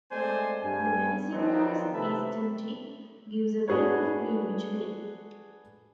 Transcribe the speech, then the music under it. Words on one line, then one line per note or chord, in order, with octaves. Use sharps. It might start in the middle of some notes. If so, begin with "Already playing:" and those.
The peninsula's eastern tip gives a view of Greenwich Bay.
G#3 A3 C4 C5 D5 G#5
G2 G#5
D#3 F3 F#3 B3 C4 D4
C3 A3 B4 E5 A5 B5
D4 F#4 G#4 B4 C#5